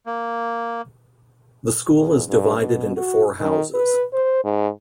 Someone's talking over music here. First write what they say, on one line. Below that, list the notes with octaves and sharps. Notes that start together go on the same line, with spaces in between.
The school is divided into four houses.
A#3
E2
G2
B2
F#4
D#3
B4
C5
G#2